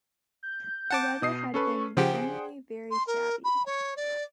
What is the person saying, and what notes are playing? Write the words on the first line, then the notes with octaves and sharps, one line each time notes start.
The weather had been generally very shabby.
G6
F#5 A5 D6
B2 D#6 C7
C#4 A4 B4 C#6
C#3 F3 G4 G#4 C5 F#5 G5
C6
A#4
B5
C#5
D5